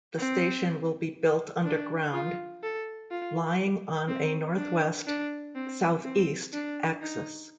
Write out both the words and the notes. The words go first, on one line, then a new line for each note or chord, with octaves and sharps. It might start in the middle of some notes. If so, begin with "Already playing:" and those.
The station will be built underground, lying on a northwest-southeast axis.
C4
D4
F4
A4
F4
C4
D4
D4
C4
C4
D4
D#4